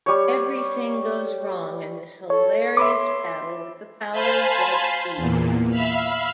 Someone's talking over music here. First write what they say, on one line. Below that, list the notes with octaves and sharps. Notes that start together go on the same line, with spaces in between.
Everything goes wrong in this hilarious battle with the powers that be!
G3 C#5
A4 C#5
E5 B5 C6 D6
C5 F5 G#5 A5 B5 C6
E2 A#2
E5 F5 B5 F6